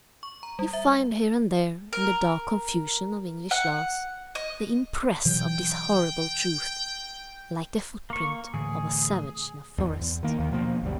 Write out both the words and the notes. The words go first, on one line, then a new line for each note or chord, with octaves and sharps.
You find here and there in the dark confusion of English laws the impress of this horrible truth, like the foot-print of a savage in a forest.
C#6
A#5
G3
E5
A#4
F#5
D#5
B2 E3 F#3 G5
A#3 C#6
A2 D3 E3 G#4
E2
E2
D#3 A#3
D#2 D#3
B2 F3 A#3
G1 D2 G3